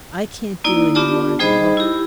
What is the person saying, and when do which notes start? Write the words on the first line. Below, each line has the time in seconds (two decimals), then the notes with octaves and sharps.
"I can't do any more than look."
0.64 A#3 D#4 E4 D5
0.95 B3 D4 F4 G4 D5 A5
1.39 G3 D#4 G#4 C5 D#5 B5
1.77 E4 G4